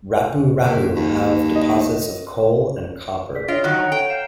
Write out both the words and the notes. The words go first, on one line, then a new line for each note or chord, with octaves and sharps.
Rapu-Rapu have deposits of coal and copper.
A#2
D#2
D#5
G#4 D5 B6
D4 F4 C#5 D#5 D7
D#3 F#3 F#6
C#5 F#5 A#5
A4 G5
F5 G6 E7